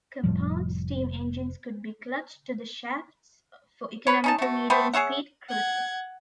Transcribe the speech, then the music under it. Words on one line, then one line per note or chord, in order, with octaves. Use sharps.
Compound steam engines could be clutched to the shafts for economical medium-speed cruising.
F1 A2 F3 G3
B4 C#5
C#4 D#4 A5
A3 F#4
A3 B3 G4 C5
G#4 C#5 E5 F#5
F#5 G#6